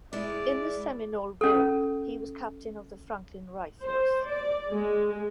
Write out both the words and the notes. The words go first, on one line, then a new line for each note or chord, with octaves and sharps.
In the Seminole War, he was captain of the Franklin Rifles.
G#3 E4 D5
C#4 A4
C5
D5
G#3